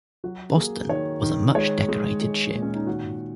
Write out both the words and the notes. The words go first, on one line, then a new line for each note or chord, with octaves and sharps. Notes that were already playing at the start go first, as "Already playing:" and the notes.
"Boston" was a much-decorated ship.
F#3 F#4
A#3 G#4
D#3 C#5
D#3
G#3 C#5
G#3
G#3
A#2
C#4
D#4
D#3 F#4